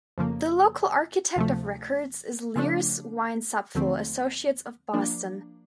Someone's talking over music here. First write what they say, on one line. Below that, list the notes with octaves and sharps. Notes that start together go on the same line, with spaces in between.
The local architect of record is Leers Weinzapfel Associates, of Boston.
F2 C#3 F3 A#3
D2 C3 F3 A3
C#3 F3 A3 D4
D#2 D3 F3 A3 C4
F3 A#3 D4